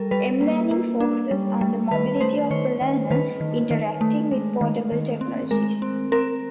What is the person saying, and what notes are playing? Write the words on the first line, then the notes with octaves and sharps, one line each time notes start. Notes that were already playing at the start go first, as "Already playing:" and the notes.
M-learning focuses on the mobility of the learner, interacting with portable technologies.
Already playing: G3 A4 A#4
G3 B4
A#3
A#3
D4
G3
G3
D#3 B4
A3 C5
D#3 C#5
D#3
D#3 B4
D#3
D#3
A3
G#3
D#3
D#3
C4
G#3 A#4
C4
C4 A#4